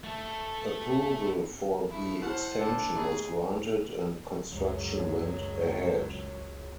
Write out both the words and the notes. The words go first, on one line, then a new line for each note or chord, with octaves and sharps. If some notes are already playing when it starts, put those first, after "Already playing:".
Approval for the extension was granted and construction went ahead.
A3 A4
C#3 A3 E4
E4 C5 F#5 A5 C#6 F6
D3 D4 A4 C#7
A3 B3 G#4 A#5
C#2 F#2 F#3